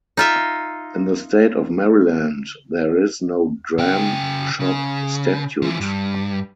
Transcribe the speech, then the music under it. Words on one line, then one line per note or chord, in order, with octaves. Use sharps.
In the state of Maryland there is no dram shop statute.
D#4 F4 E5
C#3 G5
C#3
E3 F3
G2